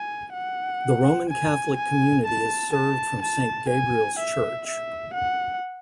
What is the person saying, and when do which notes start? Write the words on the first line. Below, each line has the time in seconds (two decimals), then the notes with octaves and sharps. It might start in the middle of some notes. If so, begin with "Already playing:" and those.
The Roman Catholic community is served from Saint Gabriel's Church.
Already playing: G#5
0.33 F#5
1.29 G#5
1.77 G#5
2.26 A5
2.73 A5
3.22 A5
3.69 G#5
4.19 E5
4.67 E5
5.14 F#5